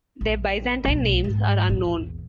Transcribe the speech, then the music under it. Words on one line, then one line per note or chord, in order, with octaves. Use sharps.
Their Byzantine names are unknown.
A#1
B1 A3
G#2
A#1 E2